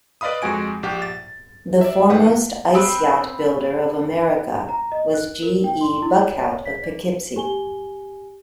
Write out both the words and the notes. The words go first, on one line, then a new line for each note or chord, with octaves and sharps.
The foremost ice-yacht builder of America was G. E. Buckhout of Poughkeepsie.
B4 D5 D#5 F5 B5 D#6
F2 G#3 F#4 G#5 D7
A#1 G4 F#5
A6
D5 E5
A#1 G#2 B4 F#5 G5
B3 C4 B4
A#5
D#5
F#6
A#4
G5
C6
E4
C#5
B6
D5
G4 G#5 G7